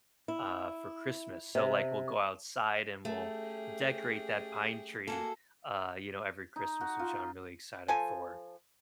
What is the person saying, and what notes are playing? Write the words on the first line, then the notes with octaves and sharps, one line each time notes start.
uh, for Christmas, so like we'll go outside and we'll decorate that pine tree, uh, you know, every Christmas, which I'm really excited for,
E4
C3
A3 C#4 G4 G#4
A#3 F#4 G#4 A4
D#4
F#4
F4
F3 A4 G#5